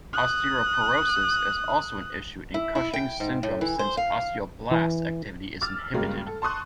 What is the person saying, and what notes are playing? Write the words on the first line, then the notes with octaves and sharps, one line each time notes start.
Osteoporosis is also an issue in Cushing's syndrome since osteoblast activity is inhibited.
D#6 F#6
E4
E4
G5
G#2
A2
E3
C5
F5
E3
D6 E6 F6 A6
G2 C#3 F#3 G#3 A#3
A4
A5 C6 C#6 D#6 F#6